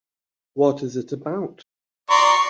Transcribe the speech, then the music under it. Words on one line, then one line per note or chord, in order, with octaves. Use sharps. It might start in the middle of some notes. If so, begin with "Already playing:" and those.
What is it about?
D5 A#5 C6 C#6